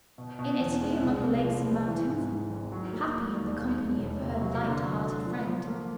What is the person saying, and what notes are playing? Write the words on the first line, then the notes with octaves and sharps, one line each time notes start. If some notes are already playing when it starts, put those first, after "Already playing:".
In Italy, among the lake s and mountains, happy in the company of her light-hearted friend.
B2
B2
E2
G#3
C2
C2
F3
C2
E3
G#2
G#2
G#1
F#3
A#3
F#3
D#2
E1
E1
E1
C3
F#3
D3
F#3
D3
F3
F3
A#3